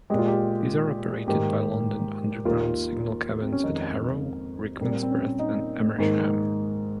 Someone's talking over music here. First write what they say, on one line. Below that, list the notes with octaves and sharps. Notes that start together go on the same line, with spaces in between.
These are operated by London Underground signal cabins at Harrow, Rickmansworth and Amersham.
A#2 G#3 G4
F4
G4
G#2 D#3 A#3 G4
D#2 D#3 A#3 F4
C4
C#4
F2 D#3 G#3 D#4
A#2 G3 A#3 C4
C4
C#4
D#4
G#2 D#3 A#3